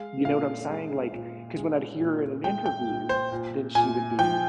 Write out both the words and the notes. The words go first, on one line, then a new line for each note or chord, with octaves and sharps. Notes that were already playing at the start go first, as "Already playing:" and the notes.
You know what I'm saying, like, ‘cause when I'd hear in an interview, then she would be
Already playing: G#3 F5
A#2 F5
G#3
A#2
G#3
A#2
G#3 G5
G5
A#2
C5
A#2
A#2 G#5
F3 G5